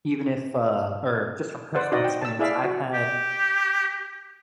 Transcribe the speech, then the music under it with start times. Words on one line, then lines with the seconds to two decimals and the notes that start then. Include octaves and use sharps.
even if, uh or just from personal experience, I've had,
1.75 B4 C5 D5 F#5
1.92 D#4 F#4 D5 D#5
2.04 G5
2.21 A5 E6
2.39 E4 G#4 D5 E5 F5
2.64 F#4
2.94 G4